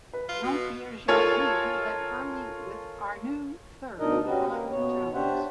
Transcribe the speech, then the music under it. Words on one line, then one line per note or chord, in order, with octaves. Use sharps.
Jean-Pierre Jabouille led early with Arnoux third behind Jones.
B4
F4
B2
F4 A4 A#4 C#5 G#5 A5
D2 B2 D4 D#4 A#4 D#5
C#4 F#4 G4 B4
A#3
B2 B3 C#5
D4 G4 C5 E5 F#5